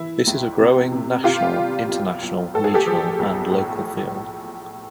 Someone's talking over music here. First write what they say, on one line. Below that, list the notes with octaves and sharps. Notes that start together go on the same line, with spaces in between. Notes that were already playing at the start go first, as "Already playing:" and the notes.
This is a growing national, international, regional and local field.
Already playing: E3 E4
C#2
C3
C3
C3 F4 G4
G3
B1
B1
A2 A4
G#4
G4 A4
F3
B1
A2